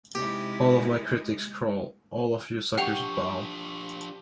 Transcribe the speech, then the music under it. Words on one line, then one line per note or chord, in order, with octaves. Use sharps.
All of my critics crawl... All of you suckers bow...
C3 G#3 D#4 E4 G4
F3 D4 G4 F#5 G5 A5 C#6 F7